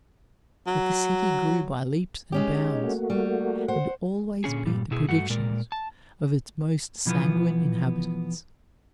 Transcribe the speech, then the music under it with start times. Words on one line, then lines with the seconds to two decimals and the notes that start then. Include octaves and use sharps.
But the city grew by leaps and bounds, and always beat the predictions of its most sanguine inhabitants.
0.67 F#3
2.32 G#3 C#4 G4
2.57 D#4
2.83 A3 A#3 F#4
3.10 G3
3.68 C5 F#5
4.44 A#2 D3 C#4 G#4
4.66 G2 A#2 G3
4.91 B2 E4 G#4
5.09 G2 A3 F#4 F#5
5.30 A#2 G#3 A#4 D5
5.72 A5
7.06 B2 E3 F3 B3